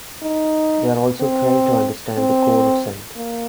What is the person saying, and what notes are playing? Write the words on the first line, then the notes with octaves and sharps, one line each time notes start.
They are also trained to understand the Cone of Scent.
D#4
C4
C4
A#3